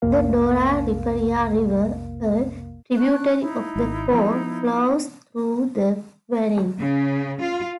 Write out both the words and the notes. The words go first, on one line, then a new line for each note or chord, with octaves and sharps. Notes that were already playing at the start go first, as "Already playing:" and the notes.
The Dora Riparia river, a tributary of the Po, flows through the valley.
B1 F2 C3 A#3 A#4 F5
D4 C#6 F#6
D#4 E4
G#1
F3 B3
C#3
F4